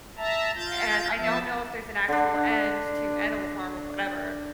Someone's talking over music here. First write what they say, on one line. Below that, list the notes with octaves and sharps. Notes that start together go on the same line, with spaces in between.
and I don't know if there's an actual end to Animal Farm or whatever
E5 A5 A#5
F4 G6 A6
F3 B3 E5 A5
D3 D4